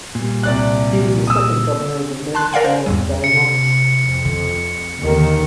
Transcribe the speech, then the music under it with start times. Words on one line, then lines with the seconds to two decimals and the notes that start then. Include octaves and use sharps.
He was the second Governor of American Samoa to die in office.
0.15 A#2 G3
0.43 C2 D5 F#6
1.27 D#6 E6
2.35 A5 C6 F#6
2.53 A#4 D5 F5 F#5 G#5
2.65 C5
2.86 E2 G#2 G3
3.24 C3 C#7
4.04 F2
5.00 D#2 D3 D#3